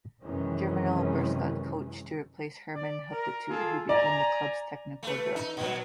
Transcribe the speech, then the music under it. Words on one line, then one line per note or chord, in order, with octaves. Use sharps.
Germinal Beerschot coach to replace Herman Helleputte who became the club's technical director.
F#2 C3 D#3 E3 G#3 C#4
D5
A#4
F4 G#4 A4
D5 G#5 A#5
A3 B4
D#4
A#2 F#3